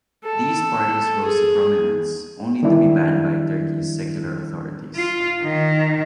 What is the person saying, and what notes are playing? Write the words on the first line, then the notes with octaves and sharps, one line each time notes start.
These parties rose to prominence only to be banned by Turkey's secular authorities.
A4
G#4
D#3 G3 D4 E4
F4
D#3